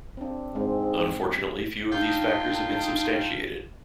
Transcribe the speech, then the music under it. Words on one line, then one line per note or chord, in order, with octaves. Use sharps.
Unfortunately few of these factors have been substantiated.
C4 D4
G#2 G#3 C4
D4 D#4 F4 G5